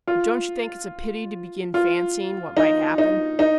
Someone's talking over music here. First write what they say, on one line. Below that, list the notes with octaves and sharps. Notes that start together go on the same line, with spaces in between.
"But don't you think it's a pity to begin fancying what might happen?"
F4
F4
D#4
D#4
D#4